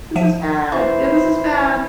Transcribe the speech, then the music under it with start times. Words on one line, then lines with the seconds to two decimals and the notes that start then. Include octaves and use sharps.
"This is bad. Yeah, this is bad."
0.16 F3 E5 D#7
0.72 E3 C5 C#6